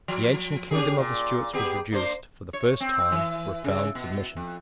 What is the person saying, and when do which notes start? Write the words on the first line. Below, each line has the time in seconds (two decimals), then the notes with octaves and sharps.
The ancient kingdom of the Stuarts was reduced, for the first time, to profound submission.
0.08 F3
0.71 C#4 G4 G#4
0.98 A#2
1.53 B3 G4 G#4
1.92 A#3 D4 C5
2.53 C#5
2.80 C4
3.12 E3
3.64 C#3
3.95 B2
4.37 F2